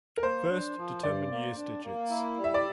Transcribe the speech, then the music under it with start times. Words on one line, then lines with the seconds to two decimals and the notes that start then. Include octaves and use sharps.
First, determine years' digits.
0.17 A#4
0.23 A#3 C5
0.50 D4
0.77 F3
1.03 G2 D5
1.31 A#3
1.57 D4
1.84 A#3
2.10 E4
2.37 G3
2.44 E5
2.54 D5